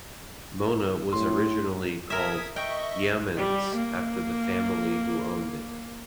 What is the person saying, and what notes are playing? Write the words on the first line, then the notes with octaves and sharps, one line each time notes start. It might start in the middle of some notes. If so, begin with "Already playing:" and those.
Mona was originally called Yeamans after the family who owned it.
A2 C6
A#4 E5 D#6 G#6 B6
D#5 E5 G5 C#6
G3
A#3